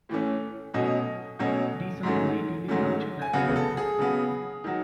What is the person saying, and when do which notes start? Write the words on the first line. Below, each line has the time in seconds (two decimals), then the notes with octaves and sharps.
These are relatively large dragonflies.
0.09 A2 E3 A3 C#4
0.73 B2 F#3 A3 C#4 D#5
1.39 B2 F#3 A3 C#4
2.03 G#2 F#3 A3 C#4
2.68 G#2 F#3 A3 C#4
3.22 G#5
3.33 C#3 F#3 B3 F#5
3.56 A4
3.77 G#4
3.99 C#3 F#3 B3
4.64 D#3 F#3